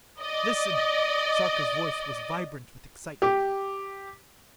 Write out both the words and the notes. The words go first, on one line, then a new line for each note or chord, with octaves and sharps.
"Listen!" Sarka's voice was vibrant with excitement.
D5 D#5
G4